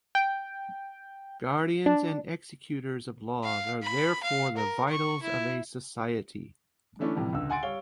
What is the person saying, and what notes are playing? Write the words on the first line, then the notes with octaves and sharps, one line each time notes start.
Guardians and executors of laws are therefore the vitals of a society.
G5
D4
F5
B5
F5
A#4
C#6
E4
D3 E3 A3 C#4 D4 E4
A2 C3 E3 F3 G3
C#2 D3 E6
F#5 G#5 C6 A6 D7
G3 C#5 F5 G7